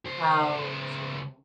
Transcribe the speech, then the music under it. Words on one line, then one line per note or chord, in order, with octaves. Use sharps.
how to
C#2 C5